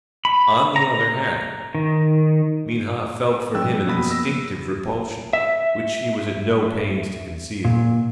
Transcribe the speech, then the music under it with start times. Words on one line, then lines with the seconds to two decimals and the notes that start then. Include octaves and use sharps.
On the other hand, Minha felt for him an instinctive repulsion which she was at no pains to conceal.
0.25 B5
0.76 A#5
1.75 D#3
3.55 F3 G3 C#4 G5 E6 F#6
3.87 B2 F3 A#3 B3 B5
4.11 E6 A#6
5.33 E5
7.65 A#2